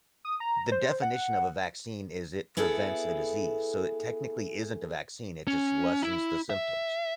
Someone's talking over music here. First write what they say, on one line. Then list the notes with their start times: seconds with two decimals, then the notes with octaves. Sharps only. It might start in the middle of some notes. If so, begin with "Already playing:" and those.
the definition of a vaccine is it prevents a disease, so, it technically isn't a vaccine, it just lessens the symptoms.
0.25 D#6
0.40 A#5
0.72 C5
1.02 F#5
2.57 B3 E4 G#4 A4
5.47 C#4
6.03 E4
6.50 E5